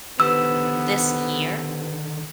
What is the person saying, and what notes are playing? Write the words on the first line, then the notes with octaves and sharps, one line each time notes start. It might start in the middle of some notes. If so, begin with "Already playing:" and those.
this year,
D3 D#3 B3 G4 B4 C5 E6